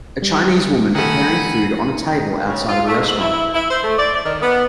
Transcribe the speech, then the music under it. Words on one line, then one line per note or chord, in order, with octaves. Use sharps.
A Chinese woman preparing food on a table outside of a restaurant.
G3
D#3 A3 F#5 G#5 B5
C#3
F4
A3
G#2
E4
E4
C5
A3
D5
D5
D#3
B3